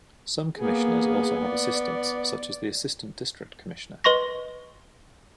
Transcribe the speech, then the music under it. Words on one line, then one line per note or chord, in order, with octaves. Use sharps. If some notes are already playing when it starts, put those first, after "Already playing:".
Some commissioners also have assistants, such as the Assistant District Commissioner.
A#3 B3 G#4
D5
B4 D#5 C6 C#6 A#6